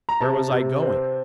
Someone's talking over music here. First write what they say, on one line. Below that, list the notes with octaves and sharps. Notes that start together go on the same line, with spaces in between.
Where was I going?
A#5
C3 A5
C3
C4